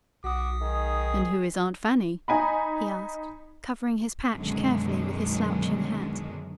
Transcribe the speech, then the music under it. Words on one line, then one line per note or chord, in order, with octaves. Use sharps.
"And who is Aunt Fanny?" he asked, covering his patch carefully with his slouching hat.
B1 F#4 D6 D#6
D#3 G#4
D#4 G#5 A#5 B5
F#2 B2 D3 D#3 F#3 G#3